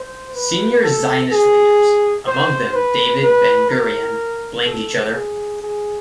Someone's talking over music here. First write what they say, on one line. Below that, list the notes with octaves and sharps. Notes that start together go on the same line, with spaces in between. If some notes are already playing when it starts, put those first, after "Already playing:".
Senior Zionist leaders, among them David Ben-Gurion, blamed each other.
Already playing: C5
B4
A4
G#4
C5
B4
B4
A#4
A4
G#4
G#4